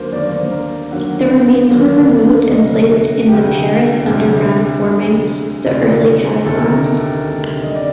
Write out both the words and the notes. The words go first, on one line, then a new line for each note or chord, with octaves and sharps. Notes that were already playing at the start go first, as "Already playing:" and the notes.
The remains were removed and placed in the Paris underground forming the early Catacombs.
Already playing: D#2 D3 F#3 A#3 C5
D#2 D3 F#3 A#3 D5
C5
A#4
D#2 D3 F#3 A#3 F#5
D#2 D3 F#3 A#3
D2 C3 F#3 D#5
F#4
D2 C3 F#3 G4
D2 C3 F#3
D2 C3 F#3 A4
D2 C3 D#3
D2 C3 D#3 A4
A#4
A4
G4
D2 C3 D#3 A4
D#5
D5